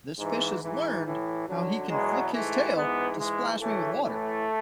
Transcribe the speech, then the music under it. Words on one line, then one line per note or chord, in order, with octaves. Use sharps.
this fish has learned how he can flick his tail to splash me with water.
G#2 E3
G#2 E3
A2 E3
F#2 D3 F#3 C#4
E2 B2 F#3 G#3
G#2 E3 A3
G#2 E3 B3
G#2 E3 G#3
F#2 C#3 E3 A3
A2 E3 A3